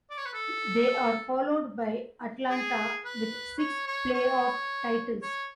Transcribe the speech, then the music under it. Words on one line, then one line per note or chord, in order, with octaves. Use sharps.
They are followed by Atlanta, with six playoff titles.
D5
C#5
B4
A4
G#4
B4
C#5
C#5
C#5
C#5